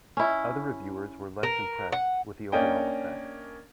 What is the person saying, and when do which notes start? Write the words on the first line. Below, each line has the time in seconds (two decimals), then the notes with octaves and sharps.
Other reviewers were less impressed with the overall effect.
0.17 C#4 E4
1.43 A#4
1.92 F#5
2.52 A#3 C#4 D4 D#5 G5